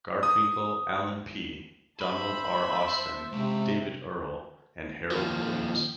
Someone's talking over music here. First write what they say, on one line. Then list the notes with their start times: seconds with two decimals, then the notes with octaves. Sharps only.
Garfinkel, Alan P., Donald R. Austin, David Earle, and Harold Williams.
0.23 D#6
2.01 C5 E5 A5 B5
3.33 C3 G#3 F5
5.11 D#2 F3